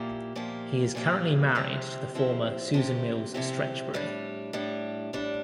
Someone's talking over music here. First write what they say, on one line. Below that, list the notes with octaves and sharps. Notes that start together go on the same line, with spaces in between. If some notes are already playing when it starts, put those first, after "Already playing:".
He is currently married to the former Susan Mills Stretchberry.
Already playing: A#2 F3 A#3 E4 G4
A#2 F3 A#3 E4 G4
A#2 F3 A#3 E4 G4
C3 F3 C4 E4 G4
C3 F3 C4 E4 G4
C3 F3 C4 E4 G4
C3 F3 C4 E4 G4
A2 G3 D4
A2 G3 D4
A2 G3 D4